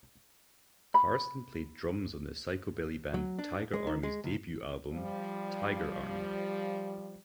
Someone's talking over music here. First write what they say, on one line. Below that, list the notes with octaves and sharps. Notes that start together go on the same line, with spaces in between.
Carson played drums on the psychobilly band Tiger Army's debut album "Tiger Army".
B5
F#3
D4
G#3
D#3
G#3
C#2
F3 G3